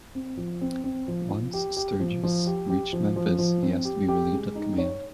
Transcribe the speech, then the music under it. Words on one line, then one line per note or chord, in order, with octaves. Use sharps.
Once Sturgis reached Memphis, he asked to be relieved of command.
C4
F3
C4
C4
F3
F3
G4
G4
F3
F3
G4
G4
F3
F3
F3
C4
G4
G4
G#3
D#4
C#5